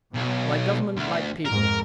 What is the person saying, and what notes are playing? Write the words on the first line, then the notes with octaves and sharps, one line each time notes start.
Like government, like people.
B1 B2
D2
F2 G#2 A#4